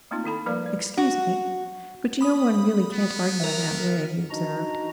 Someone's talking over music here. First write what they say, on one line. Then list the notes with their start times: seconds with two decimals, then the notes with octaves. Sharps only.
"Excuse me, but you know one really can't argue in that way," he observed.
0.11 A3 A#3 C4 D#4 F4
0.24 D#3 E4 A4 B5
0.46 F3 G3 A#3 A#4 D5 F5
0.66 D5
0.97 F#4
2.21 B5 D#6
2.94 B3
3.40 A#4 E5
4.30 D4 D#4 F#4 D#5 A#5